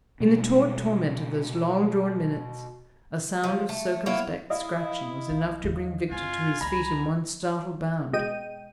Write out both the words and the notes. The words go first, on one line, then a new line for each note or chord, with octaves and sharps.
In the taut torment of those long-drawn minutes a sound of circumspect scratching was enough to bring Victor to his feet in one startled bound.
B2 G3 G#3
F3
A3
A#3 B3 E4 C#5
E4 D#5 F5
B1
E2 C#3
G2 C4 F4 G#5
C#2 A#5 B5
B2 G#3 D#5 G5 D#7